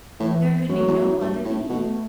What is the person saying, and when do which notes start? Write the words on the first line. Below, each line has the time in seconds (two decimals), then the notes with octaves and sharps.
There could be no other meaning.
0.20 A2 E3
0.69 F#2 F#3
0.87 E2
1.03 F#2
1.20 G2
1.45 A2
1.70 B2 A3